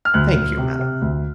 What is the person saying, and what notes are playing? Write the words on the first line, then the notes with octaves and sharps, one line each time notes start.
"Thank you, madam."
F6
D2 F#6
D2
C3
C3
D2